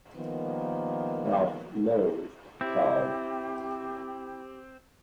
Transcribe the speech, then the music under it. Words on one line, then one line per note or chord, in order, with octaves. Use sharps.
Ralph loathed Todd.
D#3 F3 G3 A#3 B3
C4 E4 G4